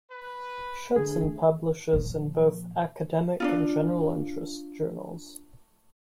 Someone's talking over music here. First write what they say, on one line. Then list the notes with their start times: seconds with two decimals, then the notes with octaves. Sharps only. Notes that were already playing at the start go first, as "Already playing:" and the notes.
Schudson publishes in both academic and general-interest journals.
0.11 B4
0.96 D3 A3 G#4
1.93 A#2 F3
3.40 D4 D#4 F4